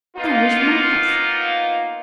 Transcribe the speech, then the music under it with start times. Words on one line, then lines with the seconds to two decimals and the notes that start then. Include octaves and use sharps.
Then I reached for my glass.
0.16 A#3 B3 D#4 F4